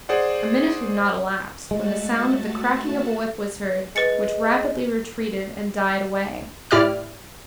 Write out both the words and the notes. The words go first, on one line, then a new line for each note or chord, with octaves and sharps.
A minute had not elapsed, when the sound of the cracking of a whip was heard, which rapidly retreated and died away.
G#4 C5 D5 F#5
G#3 A3 F#4 A5
G#3 B4 A6 C#7
A2 E4 G4 D5 D6 F6